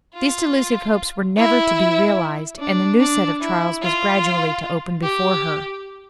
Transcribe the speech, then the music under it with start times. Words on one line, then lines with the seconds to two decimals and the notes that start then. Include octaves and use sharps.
These delusive hopes were never to be realized, and a new set of trials was gradually to open before her.
0.15 F4
1.37 E4
2.59 D4
3.00 D4
3.41 E4
3.82 F4
5.03 G4